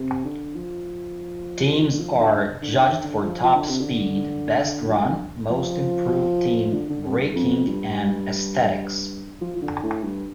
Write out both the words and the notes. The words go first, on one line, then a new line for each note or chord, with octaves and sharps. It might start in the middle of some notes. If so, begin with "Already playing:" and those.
Teams are judged for top speed, best run, most improved team, braking, and aesthetics.
Already playing: C3
D3
F3
D3
D3
F3
F3
D3
D3
D3
D3
F3
F3
D3
C3
D3
F3
D3
C3
D3
F3
D3
D3
C3
F2
G2
F2
G2
F3
F3
D3
A2
G2